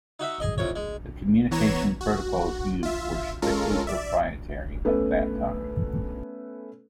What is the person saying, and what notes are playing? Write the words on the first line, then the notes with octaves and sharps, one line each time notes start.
The communication protocols used were strictly proprietary at that time.
D#4 F#4 E5
G#4 D#5
C2 F2 C#5
G#3
E3 B3 C#5 A#5 G#6 E7
F#4
F4 E5
G#3 C#4 F4 A4 A#4
D5 E5
A3 B3 C#4 A4 B4